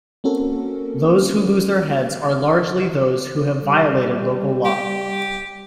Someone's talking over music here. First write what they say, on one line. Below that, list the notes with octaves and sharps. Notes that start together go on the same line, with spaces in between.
Those who lose their heads are largely those who have violated local law.
A#3 C4 C#4 F#4 A4 A#4
G3
G4